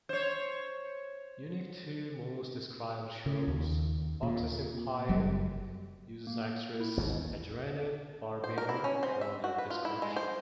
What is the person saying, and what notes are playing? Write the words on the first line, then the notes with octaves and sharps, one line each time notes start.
Unique to most described shows, Fox's "Empire" uses actress Adrienne Barbeau for their description.
C5 C#5
C#3
D#2
A#2
F#1 F#3 G3
A#3
E4
A1 D#2 G#2 D#3
C5
A#4
E4
C#4
C4
E5
F#4
B4
F4
E4
G#3
C5